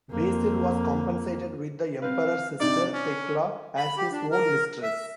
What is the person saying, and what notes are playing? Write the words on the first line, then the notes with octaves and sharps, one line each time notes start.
Basil was compensated with the emperor's sister Thekla as his own mistress.
F2 A#3
C4 B4 F5
G2 C3 D#4 D5
C#4
B5
G4
D4
A#4
E5